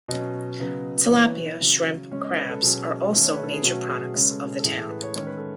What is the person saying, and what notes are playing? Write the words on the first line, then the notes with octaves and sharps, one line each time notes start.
Tilapia, shrimp, crabs are also major products of the town.
B2 F#3 C#4 D#5
C#3 F#3 B3
E3 B3 C#5
C#3 F#3 C#4
C#3 G#3 C#4 C#5
D#5
B4
A4
B2 F#3 C#4 G#4
D#3 A3 C#4
C#5
B4
A4
G#4
B2 F#3 A3 C#4 F#4
G#4
C#3 G#3 C#4 B4
A4
G#4
A4
A2 E3 A3 G#4
A4
B4
C#5
D#3 G#3 C#4 C#5
B4
A4